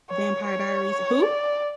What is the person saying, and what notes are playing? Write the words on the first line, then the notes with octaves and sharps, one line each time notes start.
Vampire Diaries Who?
C#5
C#5
D5